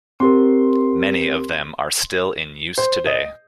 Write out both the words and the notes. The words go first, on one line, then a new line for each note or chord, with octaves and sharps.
Many of them are still in use today.
C4 G4 A#4 C6
C5
D#5